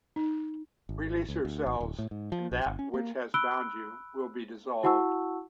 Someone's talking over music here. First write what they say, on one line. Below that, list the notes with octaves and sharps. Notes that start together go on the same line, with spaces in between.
Release yourselves, and that which has bound you will be dissolved.
D#4
G#1
C#2
D2
G#1
D1
A2
G#2
F3
A#1
G1
C#4
A#3
B5 E6 F#6 D7 G7
E4 F#4 F#5 A5 C#6 E6